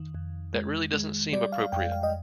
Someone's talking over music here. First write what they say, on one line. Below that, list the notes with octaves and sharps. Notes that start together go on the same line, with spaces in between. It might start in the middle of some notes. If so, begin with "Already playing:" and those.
That really doesn't seem appropriate.
Already playing: F2 D#3
F2
G#3
G#3
G3 D5
F5
F2 G5
F5
D#5